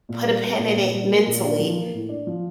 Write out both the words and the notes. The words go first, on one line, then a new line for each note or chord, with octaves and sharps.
put a pin in it, mentally,
A#2
G3
A#3
A#2
A#2
G3
A#3
A#2
D4
F3
A#3
A2
D4
F3